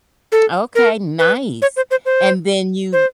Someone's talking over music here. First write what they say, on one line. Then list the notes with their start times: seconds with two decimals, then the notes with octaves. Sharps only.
Okay, nice, and then you
0.32 A4
0.75 A#4
1.19 B4
1.62 C#5
1.76 C5
1.91 C5
2.06 C5
2.93 C5